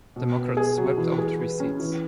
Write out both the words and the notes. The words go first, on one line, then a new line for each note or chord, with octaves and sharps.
Democrats swept all three seats.
B2
B3
G#4
F#3
E3
G#4
B4
C#4
E3